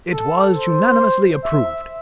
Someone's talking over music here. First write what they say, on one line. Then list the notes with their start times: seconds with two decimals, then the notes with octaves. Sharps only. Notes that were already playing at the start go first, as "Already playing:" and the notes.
It was unanimously approved.
0.12 A4
0.55 C5
1.44 E5